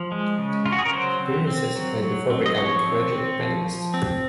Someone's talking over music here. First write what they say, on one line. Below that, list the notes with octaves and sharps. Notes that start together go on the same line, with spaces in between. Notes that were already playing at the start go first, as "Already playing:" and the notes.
Appearances made before becoming a regular panellist.
Already playing: F3
G#3
C#3
C#3 F4
F#4
G#4
A#4
F#3 C5
C4
C4
F#3
F#3
C4
D#5
F3 C#5
C4
C4
F3
F3
C4